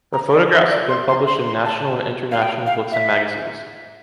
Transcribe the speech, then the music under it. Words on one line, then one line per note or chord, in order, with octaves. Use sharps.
Her photographs have been published in national and international books and magazines.
A#5
D5
C5
D5
C6
C6
C6
C6
A5
F5
G5
F5
E5